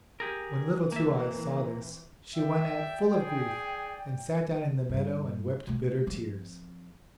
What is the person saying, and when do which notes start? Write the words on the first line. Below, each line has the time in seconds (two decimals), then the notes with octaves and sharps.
When Little Two-eyes saw this, she went out full of grief, and sat down in the meadow and wept bitter tears.
0.20 G4 G#4 A#4
0.55 E3 C4
0.92 A#3 E5
2.36 D5 E5 G5
3.12 G#4
4.89 G2
5.67 B2 A3
6.07 F3 C4